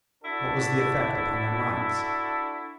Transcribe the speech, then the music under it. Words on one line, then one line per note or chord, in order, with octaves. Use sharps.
What was the effect upon their minds?
D4 E4 F#4 A4